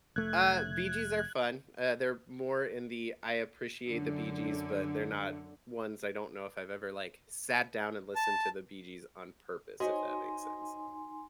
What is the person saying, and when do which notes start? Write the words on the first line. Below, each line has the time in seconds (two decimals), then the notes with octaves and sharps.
Uh, Bee Gees are fun, uh, they're more in the "I appreciate the Bee Gees," but they're not ones I don't know if I've ever, like, sat down and listened to the Bee Gees on purpose, if that makes sense.
0.16 F1 A3 F#6 G#6
3.87 F#2 D3
8.15 A5
9.80 D#4 F#4 C5 C#5 D#5 G#5 C6